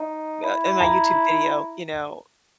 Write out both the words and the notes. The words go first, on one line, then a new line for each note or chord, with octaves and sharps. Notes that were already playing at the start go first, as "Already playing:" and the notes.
uh, in my YouTube video, you know?
Already playing: D#4
E4
A#5